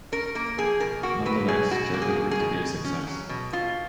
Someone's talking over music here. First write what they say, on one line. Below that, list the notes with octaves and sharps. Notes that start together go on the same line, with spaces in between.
Nonetheless, "Joker" proved to be a success.
C#4 A#4
A#3 A#4
F3 G#4
B2 A#4
A#3 F#4
F#3 B4
B2 G#4
B2 F#4
A#3
G#4
F#3
G#4
B2
B2
C#4
F#3
B2
B2 F4